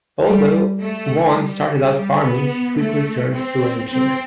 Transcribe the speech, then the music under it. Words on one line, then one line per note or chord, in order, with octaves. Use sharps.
Although Vaughn started out farming, he quickly turned to ranching.
G3
A3
G3
G3
B3
A3
C4
C4